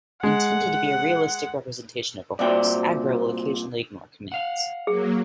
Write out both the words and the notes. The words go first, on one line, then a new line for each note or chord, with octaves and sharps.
Intended to be a realistic representation of a horse, Agro will occasionally ignore commands.
G#3 F#5
C2 A#2 F#4 C5 D5 E5 G5
F5 F#5
F#3 A#3 G#4